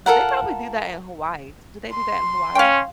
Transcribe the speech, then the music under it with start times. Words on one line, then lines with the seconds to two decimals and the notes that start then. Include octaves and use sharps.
but they probably do that in Hawaii. D do they do that in Hawaii?
0.06 F4 A4 A#4 F#5
1.90 C6
2.55 C#4 F5 G5